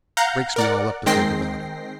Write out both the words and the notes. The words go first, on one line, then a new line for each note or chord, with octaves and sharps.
It breaks me all up to think about it.
F5 F#5 A#5 G6
A#4 D5 F#5
D#3 G#3 C4 G5 A#6 C7